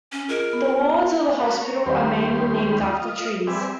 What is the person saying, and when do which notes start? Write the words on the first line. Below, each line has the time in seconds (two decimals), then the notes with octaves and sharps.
The wards of the hospital are mainly named after trees.
0.12 C#4
0.29 F4 G#4 A#4 D#5
0.53 B3
1.40 C#4 F#4 A4 B4
1.61 A#4 C#5
1.86 D#2 G3 B3 C#4 G4 C6
2.81 F4 D#5
3.47 G3 C4 G#4 B4 D5 E5